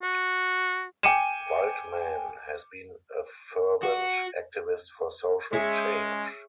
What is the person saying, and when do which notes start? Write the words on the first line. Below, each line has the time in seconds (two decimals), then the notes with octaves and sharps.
Waldman has been a fervent activist for social change.
0.03 F#4
1.03 G5 G#5 D6 C#7 D#7 E7
3.83 F#4
5.53 G#3 C#4 G#4 C#5 E5